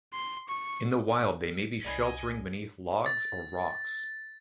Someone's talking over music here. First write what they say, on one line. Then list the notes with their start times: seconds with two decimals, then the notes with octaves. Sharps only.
In the wild they may be sheltering beneath logs or rocks.
0.14 C6
0.49 C#6
1.84 C2 D5 D#5 G#5 B5 G#6
3.06 A6